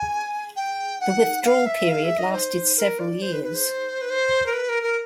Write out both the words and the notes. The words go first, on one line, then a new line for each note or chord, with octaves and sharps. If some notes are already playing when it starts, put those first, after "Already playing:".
The withdrawal period lasted several years.
Already playing: G#5
G5
F#5
F5
E5
F5
E5
D#5
C5
A#4
D5
C5
B4
B4
C5
B4
C5
A#4
B4
A#4
A#4